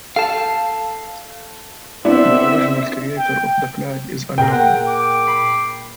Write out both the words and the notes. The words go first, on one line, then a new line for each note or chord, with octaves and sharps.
The original creator of the flag is unknown.
A4 F5 A5
B3 C4 D4 E4 E5
G5
A#2 G#4 A#4 G5
F#5
D6
B5 C7